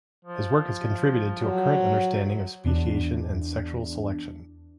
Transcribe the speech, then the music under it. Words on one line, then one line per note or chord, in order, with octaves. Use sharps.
His work has contributed to our current understanding of Speciation and Sexual selection.
F3
F#3
E2 D4